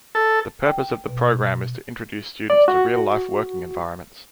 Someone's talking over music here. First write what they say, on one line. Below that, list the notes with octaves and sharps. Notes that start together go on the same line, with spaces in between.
The purpose of the program is to introduce students to real-life working environments.
A4
G5
B2
D5
F#4